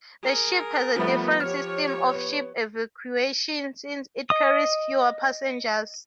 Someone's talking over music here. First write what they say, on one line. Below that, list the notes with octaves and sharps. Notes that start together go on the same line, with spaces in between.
The ship has a different system of ship evacuation since it carries fewer passengers.
G#4 A#4
F3 G3 A3 B3
F3 G4 C#5 F6
B3
D#5 D#6